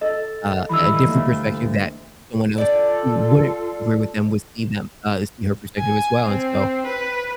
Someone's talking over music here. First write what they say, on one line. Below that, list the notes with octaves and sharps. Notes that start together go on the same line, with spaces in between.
uh, a different perspective that someone else who wouldn't agree with them would see them uh, see her perspective as well. And so,
A4 D#5
G2 D#3 E3 B5 E6
D2 A#3
F4 A4 D5 G5
G#5
C4
B4